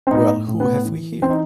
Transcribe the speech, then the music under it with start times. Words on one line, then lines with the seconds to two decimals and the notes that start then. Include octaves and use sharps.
Well who have we here?
0.07 C4
0.11 A2 B3 D#4
0.48 A2
0.60 B3
0.85 E3
1.22 E3 C4
1.30 D#4